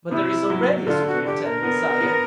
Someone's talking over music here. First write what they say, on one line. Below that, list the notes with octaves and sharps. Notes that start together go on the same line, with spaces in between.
"But there is already a superintendent, sire."
C3 E4
F#3
D3 F4
F#4
D3 G4
A#4
B3
B3